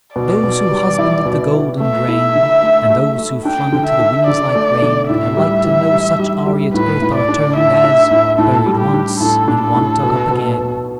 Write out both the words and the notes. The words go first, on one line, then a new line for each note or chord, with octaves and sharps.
And those who husbanded the Golden Grain, And those who flung it to the Winds like Rain, Alike to no such aureate Earth are turn'd As, buried once, Men want dug up again.
B2 D5
B2
G3
E4
B2
E4
A3 E5
E4
D3
A3
A3
A3
D4 G5
D3
E5
D4
D3 D5
A3
D3
A2 E5
G3
E3
G3
G3
G3
A2 B4
A2
D5
D4
A2 E5
D4
A2
A2 A4
G3
G4
D4
A2 A4
D4
A4
A2
B2
B2
B2